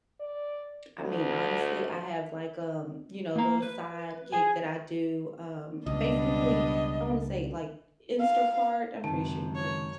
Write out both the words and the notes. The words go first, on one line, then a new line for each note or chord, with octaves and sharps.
I mean, honestly, I have, like, um, you know, a little side gig that I do. Um, basically, I don't wanna say, like, Instacart. I'm pretty sure you've heard of s
D5
D2
A#3 A#5
B4
G#4 G#5
C#2 B2 G3 D4 D#5
F5
C#2 F#2 C3 D#3 A5
C#5